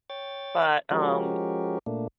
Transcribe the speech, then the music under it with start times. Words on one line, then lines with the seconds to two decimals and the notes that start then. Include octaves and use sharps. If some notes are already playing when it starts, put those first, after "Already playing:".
But, um
0.10 C#5 G5 A6
0.91 F3 G#3 C#4 F#4 G4 A#4
1.86 A#2 A3 A#3 D4